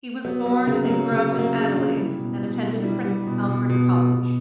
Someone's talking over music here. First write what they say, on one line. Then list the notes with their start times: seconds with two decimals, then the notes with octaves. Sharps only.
He was born and grew up in Adelaide, and attended Prince Alfred College.
0.25 F#3 B3
0.46 F#3
0.67 C#3 A#3
0.85 A#3
0.90 F#3
1.11 C#3
1.32 F#3
1.39 A#3
1.54 C#3
1.68 D4
1.76 C#3
1.97 G3 E4
2.19 B2
2.40 B2
2.62 G3
2.78 D4
2.83 G3 E4
3.05 G3
3.27 B2
3.48 B2
3.69 B2
3.91 B2
4.12 B2